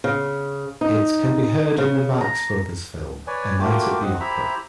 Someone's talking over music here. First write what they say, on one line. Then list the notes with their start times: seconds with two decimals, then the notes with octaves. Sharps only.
It can be heard in the Marx Brothers film "A Night at the Opera".
0.04 C#3
0.81 D#4
1.78 C#3
2.21 A#5
3.27 B4 C#5 D5 G#5
3.60 A3 A#3 F4 F#4 G5 D6
4.02 C4 D#5 F#5
4.20 E4 G4 C5 E5 A#5 B5